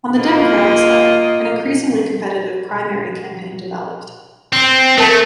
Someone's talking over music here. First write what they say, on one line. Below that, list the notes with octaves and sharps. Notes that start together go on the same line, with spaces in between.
On the Democratic side, an increasingly competitive primary campaign developed.
A#3 F4 D#5
C4
A3 A#4 A5